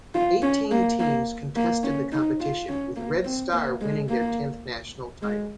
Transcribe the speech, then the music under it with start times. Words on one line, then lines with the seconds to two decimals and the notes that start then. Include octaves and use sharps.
Eighteen teams contested the competition, with Red Star winning their tenth national title.
0.15 F4
0.42 C#4
0.71 A#3
1.00 A#3
1.56 A#3
1.83 C#4
2.12 D#4
2.40 F4
2.69 C#4
2.96 A#3
3.25 C4
3.52 A#3
3.81 G#3
4.09 A#3
5.22 G#3